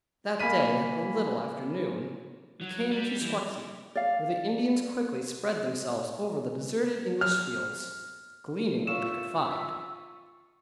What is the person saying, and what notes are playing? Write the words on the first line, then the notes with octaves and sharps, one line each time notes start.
That day, a little after noon, we came to Squakeag, where the Indians quickly spread themselves over the deserted English fields, gleaning what they could find.
A#3 G#5 B5 B6 D#7
F#3
G3
E3
D5 F5
F6
F4 E5 C#6 E7